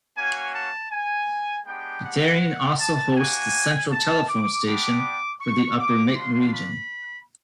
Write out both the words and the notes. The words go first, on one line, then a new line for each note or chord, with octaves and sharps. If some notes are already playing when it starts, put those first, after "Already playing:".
Bteghrine also hosts the central telephone station for the upper Metn region.
A#3 C#4 F#4 G#5
A5
G#5
G#3 B3 D4 G4 G5
F#5
A5
A#3 D4 F#4 G#5
A5
D6
G3 B3 D4 G4 D6
C#6
D6
A3 D4 F4 C6
B5